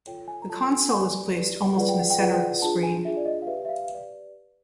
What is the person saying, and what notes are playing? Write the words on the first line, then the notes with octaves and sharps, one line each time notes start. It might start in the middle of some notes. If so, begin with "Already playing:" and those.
The console is placed almost in the centre of the screen.
F4 A4 C#5 G5
G#5
A#5
F4 A4 C#5 A5
G#5
G#5
G4 B4 D5 G#5
G4 B4 D5
F4 G#4 B4 D5 F#5
G5
F#5
G5
F4 G#4 B4 D5 F#5
G5
F#5
D4 F4 G#4 A5
G#5
D4 F4 G#4 E5
D5
D#5
F5
G4 B4 D5 E5
E5
F5
G4 B4 D5